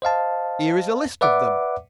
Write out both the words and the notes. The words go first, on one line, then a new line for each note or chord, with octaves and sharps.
"Here is a list of them."
C5 D#5 F5 A5
B4 D5 E5 F#5 D6